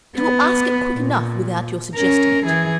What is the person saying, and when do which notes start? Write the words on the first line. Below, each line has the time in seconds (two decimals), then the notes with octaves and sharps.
It will ask it quick enough without your suggesting it.
0.16 B3
0.94 A#2
1.95 C#4 A#4
2.46 E3 G#4